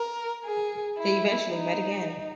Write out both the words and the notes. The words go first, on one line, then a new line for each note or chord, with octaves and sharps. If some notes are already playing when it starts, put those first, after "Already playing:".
They eventually met again.
Already playing: A#4
G#4
E4
D#4